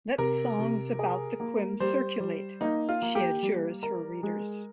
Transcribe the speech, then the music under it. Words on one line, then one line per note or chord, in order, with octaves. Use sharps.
"Let songs about the quim circulate," she adjures her readers.
C3 A#4
C3
G#4
A#3
G3 C5
G3
A#3 D#4
F4
A#3
G4
G3
A#4
G#3